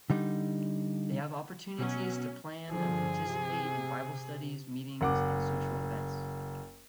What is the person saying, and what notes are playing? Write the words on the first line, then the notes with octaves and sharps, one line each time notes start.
They have opportunities to plan and participate in bible studies, meetings, and social events.
D3 G3 D#4
B2 F#3 C#4
G2 D3 F3 G#4
C3
F#1 F#5 D6